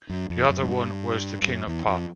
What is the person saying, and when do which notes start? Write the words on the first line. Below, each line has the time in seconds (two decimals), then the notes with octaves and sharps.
The other one was the King of Pop.
0.09 F#2
0.30 F2
0.49 F#2
0.63 G#2
0.68 G2
1.42 G2
1.48 F#2
1.67 E2
1.87 F2